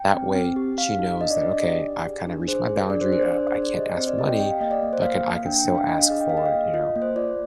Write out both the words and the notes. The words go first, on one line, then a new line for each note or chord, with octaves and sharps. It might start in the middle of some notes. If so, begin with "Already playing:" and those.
That way she knows that, "Okay, I've kinda reached my boundary of 'I can't ask for money,' but can I can still ask for, you know,
Already playing: G5
C4
C4
G4
G4 F5
D#4
D4 D#5
D5
D4 D#5
D5
G4
G4
G#4
D4
G#4 C5
G#4
D4 D5
C5
G#4 C5
D5
D4 C5
C5
G#4
D5
G4 D#5
C4 C5
D5
G4 D#5
G5
G4 G5
F5
A#3 D#5
D5
A#3
C5
A#3 F5
A#3
D4 G5
G5
D4
F5
D4 D#5
F5
G#4 D#5
G5
G#4 F5
D#5
F5
A#3
F4 D#5
A#3
C5
F4 D5